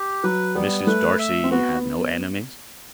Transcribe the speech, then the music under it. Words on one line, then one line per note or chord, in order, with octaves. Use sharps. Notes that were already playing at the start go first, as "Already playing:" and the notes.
"Mrs. Darcy had no enemies?"
Already playing: G4
F#3 B4
G3 B3
A3 B4
E5
C4
B3 F#4